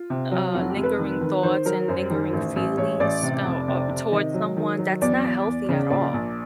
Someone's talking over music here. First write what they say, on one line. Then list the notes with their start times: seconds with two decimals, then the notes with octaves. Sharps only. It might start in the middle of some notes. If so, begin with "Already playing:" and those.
uh, lingering thoughts and lingering feelings, uh uh, towards someone that's not healthy at all.
Already playing: F4
0.10 C3
0.31 F#3
0.54 F1 F#4
0.70 G4
0.76 F1
0.83 B4
0.99 D#3
1.21 D#3
1.43 D#3 C5
1.65 F#3 A#4
1.88 F#2 C5
2.10 D#3
2.33 A1
2.56 A1
2.77 A1 C#5
3.00 A1 D5
3.23 C3
3.45 F1
3.68 C3
3.89 C3
4.12 D#3 D#5
4.34 F#3
4.57 D#3
4.79 F#3
5.01 E2 D5
5.24 E2
5.46 E2
5.69 C#3
5.90 A#1 D5
6.13 A#1